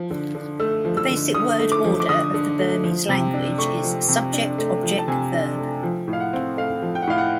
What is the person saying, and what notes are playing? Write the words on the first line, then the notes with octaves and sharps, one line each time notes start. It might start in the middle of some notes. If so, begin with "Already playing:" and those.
The basic word order of the Burmese language is subject-object-verb.
Already playing: F3
D3
D3
A3 E6
F3
E6
D3
D3 D#6
A3
D6
F3
D6
D3 D#6
D3
A3
F3
C3
D4
A3 C#6
F3
C3
D4
A3
F3
A5
C3 G#5
D4
A3
F3
A2
F5
F#5
C4
A3 F5
F3
G5
F#5
A2 F5
F#5